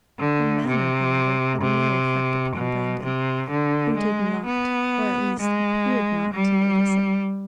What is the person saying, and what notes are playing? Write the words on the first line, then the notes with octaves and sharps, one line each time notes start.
Her manner, however, had no effect upon Brandon, who did not, or at least appeared not to notice it.
D3
C3
C3
B2
C3
D3
G#3
B3
G#3
G3